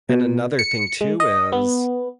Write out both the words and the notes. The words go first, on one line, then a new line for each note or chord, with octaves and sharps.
and another thing too is
B2
C#7
G#3
D#5
B3